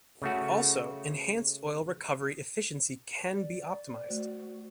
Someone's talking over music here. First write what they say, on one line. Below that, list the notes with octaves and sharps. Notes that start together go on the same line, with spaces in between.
Also enhanced oil recovery efficiency can be optimized.
C#3 A3 F#4
D5
A3 F#4 C5